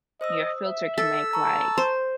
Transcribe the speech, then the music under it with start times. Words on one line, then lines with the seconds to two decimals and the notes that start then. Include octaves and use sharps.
your filter can make, like,
0.21 C5 D#5 D#6 E6
0.66 E5
0.98 A4 E6 B6
1.33 A5 A#5 C#6
1.78 C5